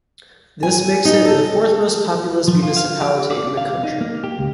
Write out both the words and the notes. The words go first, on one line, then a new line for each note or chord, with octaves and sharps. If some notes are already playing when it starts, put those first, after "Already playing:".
This makes it the fourth most populous municipality in the country.
G#5
D#4
A4
F3
F4
F5
G4
D5
F5
D#4
A#3
G4
C#2